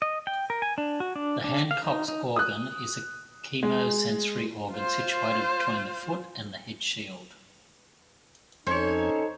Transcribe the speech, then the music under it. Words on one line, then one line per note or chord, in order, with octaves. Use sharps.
The Hancock's organ is a chemosensory organ situated between the foot and the headshield.
D#5
G5
A#4
G#5
D4
F#4
D4
D4
F5
D#4
D#4
D#6 F#6
G#3
F4 C5
F2 C#4 D#4 A4 C5 C#5 G#6